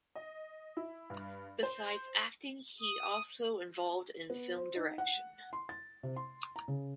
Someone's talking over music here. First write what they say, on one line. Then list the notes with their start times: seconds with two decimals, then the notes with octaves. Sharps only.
Besides acting he also involved in film direction.
0.15 D#5
0.77 E4
1.10 G2
1.63 C5
2.80 D#6
4.30 B3
4.56 C5
4.76 D#4
4.98 F#5
5.53 C6
5.69 A6
6.03 C3
6.16 C6
6.56 A#5
6.68 C#3